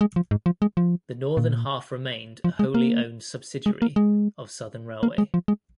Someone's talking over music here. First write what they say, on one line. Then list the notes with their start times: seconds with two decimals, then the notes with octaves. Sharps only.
The northern half remained a wholly owned subsidiary of the Southern Railway.
0.01 G#3
0.16 F3
0.31 G#2
0.46 F3
0.62 G#3
0.77 F3
1.37 A#2
2.44 F3
2.59 G#3
2.74 A#3
3.66 G#3
3.82 A#3
3.96 G#3
5.03 A#3
5.18 G#3
5.34 F3
5.48 G#3